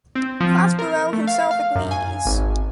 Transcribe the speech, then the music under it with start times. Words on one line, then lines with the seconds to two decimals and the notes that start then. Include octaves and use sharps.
Prospero himself agrees.
0.15 C4
0.40 F3
0.79 A#4
1.13 A3
1.27 F5
1.51 F5
1.75 F#2
1.91 G#5
2.26 G#1